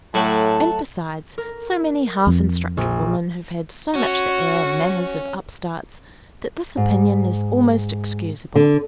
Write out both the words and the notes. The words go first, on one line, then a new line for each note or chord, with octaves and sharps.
And besides, so many half-instructed women have had so much the air and manners of upstarts, that this opinion is almost excusable.
A2 F#3 A3 F#5 A5
A#4
F2
A#1
C#4 F#4
G#2
D3